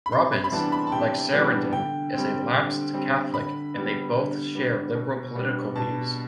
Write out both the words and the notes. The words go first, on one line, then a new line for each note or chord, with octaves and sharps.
Robbins, like Sarandon, is a lapsed Catholic, and they both share liberal political views.
B5
C3 C6
B5
B5
E3 G3 B3 D4 A5
B5
A5
C3 G5
E3 G3 B3 D4
D3 G5
G3 C4
D3
G3 C4
D3 B5
G3 B3
D3
G3 B3
B2
G3 B3 D4
B2 A5